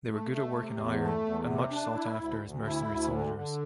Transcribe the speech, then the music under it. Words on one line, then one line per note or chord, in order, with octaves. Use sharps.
They were good at working iron and much sought after as mercenary soldiers.
A3
A3
C3
E2
A3
E2
C3
D4
E4
D2
D2
E4
D2
D3
D3